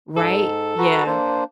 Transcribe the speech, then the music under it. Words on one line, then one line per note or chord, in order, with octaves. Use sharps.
Right? Yeah.
G#2 A4
F#4 B4 A#5
A#3 D4 C5